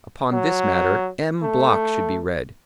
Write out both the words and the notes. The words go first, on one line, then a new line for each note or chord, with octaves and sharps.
Upon this matter M. Bloch should be read.
F#3
A3